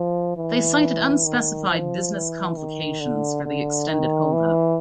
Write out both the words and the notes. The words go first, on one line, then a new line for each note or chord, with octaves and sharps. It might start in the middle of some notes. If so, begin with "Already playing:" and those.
They cited unspecified "business complications" for the extended hold up.
Already playing: F3
E3
D#3
F3
E3
D#3
D3
D3
D#3
E3